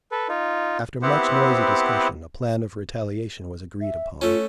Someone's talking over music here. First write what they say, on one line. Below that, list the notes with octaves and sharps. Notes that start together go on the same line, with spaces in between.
After much noisy discussion, a plan of retaliation was agreed upon.
A4 B4
D#4 F4
B3 C4 E4 G4 C5 F#5
E5
A3 C#4 F4